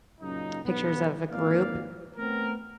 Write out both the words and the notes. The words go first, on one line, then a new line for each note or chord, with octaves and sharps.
pictures of a group,
F#2 A#2 C#3 D#4
B1 G2 B3
G#1 A#2 A#3 D5 F5
A3 B3 C4 A#4